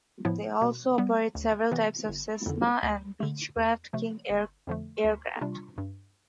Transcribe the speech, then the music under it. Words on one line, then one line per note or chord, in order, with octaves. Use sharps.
They also operate several types of Cessna and Beechcraft King Air aircraft.
A2 F3 B3 E4
B2
G3 B3
D2
C3 E3 B3
G1
F2 D3
D2
D3 A3
E2
C3 F3 A3
G1
F2 D3 F3 A3
D2
C3 G3 D4 F4
G2